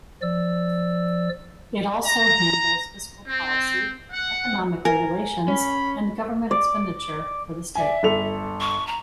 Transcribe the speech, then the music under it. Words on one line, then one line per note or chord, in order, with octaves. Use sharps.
It also handles fiscal policy, economic regulations and government expenditure for the state.
F3 D5 E6
A#5
C4
F#5
A#4 G#5
C#4 B5
D5
D5 E5 G#5
G1 A4 F7
C#6
A#5